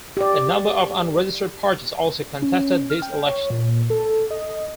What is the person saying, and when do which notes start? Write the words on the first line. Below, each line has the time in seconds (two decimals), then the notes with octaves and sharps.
A number of unregistered parties also contested this election.
0.17 G4 D5
2.42 C#4
2.90 F6
3.02 G5
3.27 C#5
3.50 A#2
3.90 A4
4.31 D#5